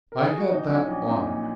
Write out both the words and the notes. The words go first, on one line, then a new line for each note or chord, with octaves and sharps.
I had that honour.
A#4
G#4
F#4
A#1 D#4
F#3 C#4
A#1
A#2 D#4
A#2